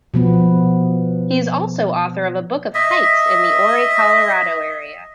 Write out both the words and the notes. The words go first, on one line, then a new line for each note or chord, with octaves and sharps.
He is also author of a book of hikes in the Ouray, Colorado area.
B2 F3 B3
D#5 E5